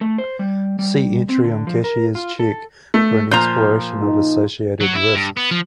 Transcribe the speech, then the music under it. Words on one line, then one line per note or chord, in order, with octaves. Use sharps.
See entry on cashier's check for an exploration of associated risks.
A3
C5
G3
G3
C4
D3
F3
A#4
F4
A4
A3
A#2 F3 A#5 G6
D#4
F#3
E4
G2
B3
F3